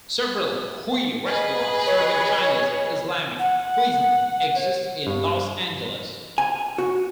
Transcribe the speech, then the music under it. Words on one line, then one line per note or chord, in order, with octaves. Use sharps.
Several Hui restaurants serving Chinese Islamic cuisine exist in Los Angeles.
G#4 B4 D#5
C#5
F#5
C#5
G2
G#5
F#4